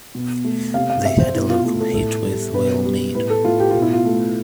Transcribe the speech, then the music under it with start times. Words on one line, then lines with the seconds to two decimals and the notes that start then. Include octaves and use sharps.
They had a local hit with "We'll Meet".
0.15 B2
0.44 A3
0.74 C3 F5
0.90 F5
1.05 C3 E5
1.19 C5
1.34 B2 E4
1.50 F4
1.64 A3 F4
1.80 A4
1.94 A2 A4
2.24 G3
2.54 B2 B4
2.85 G3
3.15 A2 B4
3.30 A4
3.45 A2 F4
3.60 G4
3.71 B2 F4
3.82 E4
3.93 F4
4.05 A3